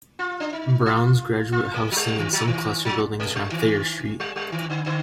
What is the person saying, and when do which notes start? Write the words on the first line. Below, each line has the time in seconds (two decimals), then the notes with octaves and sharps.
Brown's graduate housing and some classroom buildings are on Thayer Street.
0.19 F4
0.40 D4
0.53 D#4
0.86 F4
1.52 F4
1.74 G#3
1.92 F3
1.97 G3
2.18 D#3
2.33 F3
2.47 D#3
2.85 F3
3.20 G#3
3.35 G3
3.52 D#3
4.20 G3
4.36 G3
4.52 D#3
4.70 D3
4.86 D3